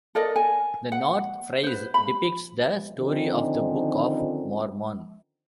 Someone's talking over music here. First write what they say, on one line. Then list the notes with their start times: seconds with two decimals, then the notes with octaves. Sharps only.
The north frieze depicts the story of the "Book of Mormon".
0.15 A4 A#4 D5 D#5
0.36 G#5
0.92 F#5
1.64 B4 C5
1.94 B5
2.98 D3 D#3 F3 C4 C#4 D#4